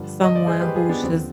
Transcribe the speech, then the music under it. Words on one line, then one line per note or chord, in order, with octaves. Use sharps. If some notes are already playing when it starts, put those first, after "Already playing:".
someone who's just
Already playing: G2 D3 F3
D#5
D5
G#4 C5
G4 B4
F4 G#4
B3 D4
D#2 D3 F3 C4